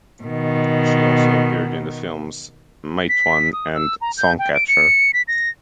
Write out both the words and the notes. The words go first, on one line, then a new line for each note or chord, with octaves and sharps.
She also appeared in the films "Matewan" and "Songcatcher".
B2 D#3
B6
D#6
E6
A#5
G6
G5
D7
C#7
B6
A#6